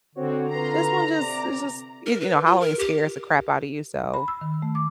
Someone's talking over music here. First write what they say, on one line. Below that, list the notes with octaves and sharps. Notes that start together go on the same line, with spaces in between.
This one just it's just, you you know, Halloween scares the crap out of you, so,
D3 C4 F#4 C#5
F4 B4 A#5 C6
C3 D5
A#4
B4
F4
A#4
G4
B5
E6
D#3
A3
D6